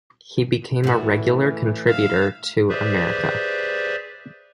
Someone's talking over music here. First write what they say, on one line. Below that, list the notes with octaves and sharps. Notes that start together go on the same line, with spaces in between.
He became a regular contributor to "America".
A2 E3 F#4
E5 F5
G4 G#4 B4 C5 D5 E5